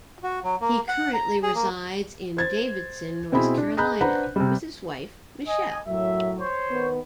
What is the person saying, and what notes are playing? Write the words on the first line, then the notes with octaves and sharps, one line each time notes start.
He currently resides in Davidson, North Carolina with his wife Michelle.
F#4
F#3
A#3
F#5
A#5
G#4
A#3
C5 G#6 A6
B2 C4 E4 G#4 B5
D4
G#4 D#5 A#5 B5 F#6 G6
D4 B4 C5 F#5 A#5 B5
C3 G3
D#5 G#5
F#2 A2 F#3 E5
C5 C#5
D#3 B3